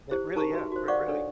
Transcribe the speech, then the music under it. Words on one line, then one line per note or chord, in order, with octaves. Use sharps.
But really, yeah, r really.
E4 G4 C5
D#4 A#4 A5 A#5 C#6
F#4 B4 E5
F#4 C5
C5 D5 F5 F#5 C#6 D6
D4 A4 C#5